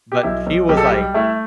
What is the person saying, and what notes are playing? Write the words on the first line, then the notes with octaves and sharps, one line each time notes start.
but she was, like,
G4
B1 E4
B1
B1 G4
A4
G4
G3
A3 E4